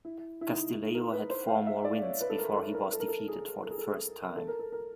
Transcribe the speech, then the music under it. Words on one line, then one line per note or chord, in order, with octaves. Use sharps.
Castillejo had four more wins, before he was defeated for the first time.
E4
E4
D#4
E4
A#4
B4
C5
F5
E5
D5
C#5
B4
A4
A#4
A4
A#4
A4
A#4
A4
G#4
A4
G#4
A4
A4
A#4
A4
A#4